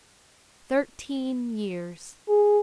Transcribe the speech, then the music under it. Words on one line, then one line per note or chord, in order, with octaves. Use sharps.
Thirteen years.
G#4